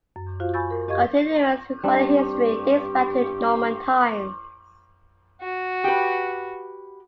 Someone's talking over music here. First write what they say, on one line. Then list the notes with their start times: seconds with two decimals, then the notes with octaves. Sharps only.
Continuous recorded history dates back to Norman times.
0.16 F#2
0.40 F4 F#4 C5 F5
0.54 G#5 B5 C#6 E6 G6 A6
0.70 A#4
0.88 F#2 G4 D#5 F5 C#6 G#6
1.84 G2 G3 C4 D4 G4
5.41 F#4
5.84 G4 B4